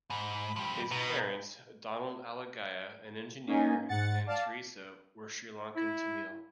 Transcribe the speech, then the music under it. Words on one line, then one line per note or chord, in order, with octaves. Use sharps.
His parents, Donald Alagiah, an engineer, and Therese, were Sri Lankan Tamil.
G#2 B5
F3 G3
B2 D#4
A#3 C#4 D#4 G#5
G#2 F#5 A6 C#7
D5 F5 A5
E4